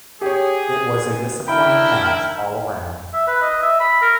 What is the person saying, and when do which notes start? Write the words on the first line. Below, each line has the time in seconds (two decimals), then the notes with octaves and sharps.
It was a disappointing match all round.
0.21 G4 G#4 C#5
1.48 D#3 D4 E4 A#4 E5 G5 B5 F6
3.13 E5
3.27 B4
3.41 D#5
3.62 E5
3.80 B5
4.02 A#4